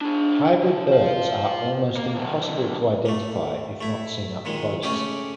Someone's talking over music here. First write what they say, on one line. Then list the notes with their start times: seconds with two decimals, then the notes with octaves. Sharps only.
Hybrid birds are almost impossible to identify if not seen up close.
0.01 D4 G#4
0.63 F3
0.88 C5 F5
1.97 A#3
2.15 D3 F#3
3.06 A3 A#3
3.81 A3 E4
4.45 A#2 D#3 G#3
4.83 C#3 A3 C#4 G4 G#4